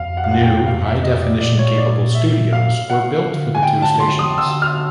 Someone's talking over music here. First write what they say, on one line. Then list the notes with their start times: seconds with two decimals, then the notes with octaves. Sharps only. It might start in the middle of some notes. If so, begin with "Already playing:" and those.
New high definition-capable studios were built for the two stations.
Already playing: F2 F5
0.17 F#5
0.24 F5
0.31 F#5
0.41 G5
0.66 F2 F5
0.85 E5
1.03 D#5
1.22 D5
1.40 A#2 D5
1.59 C#5
1.78 D5
2.15 E5
2.53 F5
2.90 F#5
3.26 D3
3.55 G#5
3.63 G5
3.82 A5
4.00 C6
4.19 D#6
4.37 D3 E6
4.62 F6